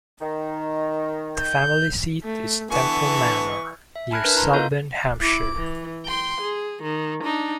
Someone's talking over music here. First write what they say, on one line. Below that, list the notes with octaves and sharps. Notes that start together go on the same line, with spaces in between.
The family seat is Temple Manor, near Selborne, Hampshire.
D#3
G6
A3
D3 E3 B3 A5 C#6
E5
G#5 A5 B5 F6 F#6 G#6
D4 A#4 B4 F6 F#6
E4 A#5 C6
B3 F4 A4 D#5 F5 G6
E4 D6
E3
G5 C6
G#4
D#3
D4 D#4